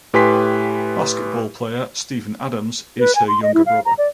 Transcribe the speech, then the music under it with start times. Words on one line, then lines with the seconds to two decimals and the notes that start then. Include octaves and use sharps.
Basketball player Steven Adams is her younger brother.
0.14 A2 G4 B4 G#5 C6 B6
2.99 B4
3.15 G#5
3.28 C6
3.42 D#5
3.54 E4
3.66 F5
3.85 A#5
3.98 D5